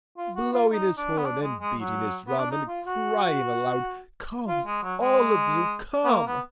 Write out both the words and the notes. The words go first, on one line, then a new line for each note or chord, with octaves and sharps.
Blowing his horn, and beating his drum, And crying aloud, "Come all of you, come!"
F4
F#4
F4
D#4
D4
B3
D4
G#3
G#3
F#3
B3
D4
D#4
F4
F#4
F4
G#3
F#3
G#3
B3
A#3
B3